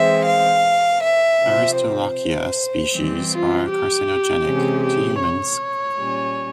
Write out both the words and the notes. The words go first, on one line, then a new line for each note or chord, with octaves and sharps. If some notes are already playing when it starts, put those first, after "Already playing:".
"Aristolochia" species are carcinogenic to humans.
Already playing: E3 G#3 C4 E5
F5
E5
C3 F3 C4
C5
E3 G3 C4
F4
G4
C3 E3 G#3 C#4
G4
C#5
A#2 G3 C#4